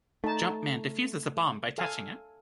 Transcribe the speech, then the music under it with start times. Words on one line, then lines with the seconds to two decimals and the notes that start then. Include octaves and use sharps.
Jumpman defuses a bomb by touching it.
0.24 A3 D#4 A5
1.78 A4 F5 G#5